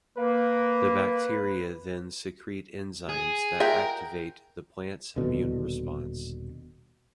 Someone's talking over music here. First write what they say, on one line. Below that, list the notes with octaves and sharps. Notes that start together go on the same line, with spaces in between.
The bacteria then secrete enzymes that activate the plant’s immune response.
A#3 B4
G#4
F4 G#4 A#4 E5 F#5 G5
D#1 B2 D3